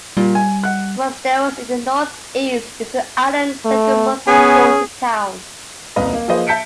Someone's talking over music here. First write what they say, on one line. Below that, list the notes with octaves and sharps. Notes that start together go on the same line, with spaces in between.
Mosteiros in the north-east is the island's second most important town.
A#2 G3
G#5
F#5 F#6
A3
B3 C#4 G#4 G#5
D#1 C2 B4 D#5 F5
A#3
F3 A#3 G#4 B4 C5 D#5
E5 A5 G6 B6 C#7 D7